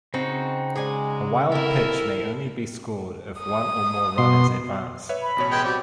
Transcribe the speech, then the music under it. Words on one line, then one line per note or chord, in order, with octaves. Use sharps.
A wild pitch may only be scored if one or more runners advance.
C#3 C4 D#4 F#4
G#3 G#4 D5 G#5
F2 E4 A4 A#4
D#6
B2 C6
B4 C#5 E5
B5
A1 B2 C#5
G#3 B4 G5
G3 C4 F#4 G4